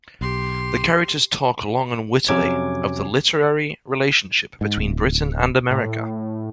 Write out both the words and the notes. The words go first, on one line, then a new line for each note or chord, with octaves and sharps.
The characters talk long and wittily of the literary relationship between Britain and America.
B1 G4 C6
F2 C3 F#3 C#4 D6 G#6
G#2
D1
A2